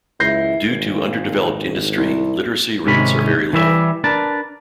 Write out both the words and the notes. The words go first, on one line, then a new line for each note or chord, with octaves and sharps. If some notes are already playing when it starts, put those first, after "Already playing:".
Due to underdeveloped industry, literacy rates are very low.
C#2 F#2 E4 G6 A#6 C7
G#1 A#2 F3 C4
C2
G#2 C3 D#3 C#4 B5
E3 G3 E5
D4 A#4 B4 A5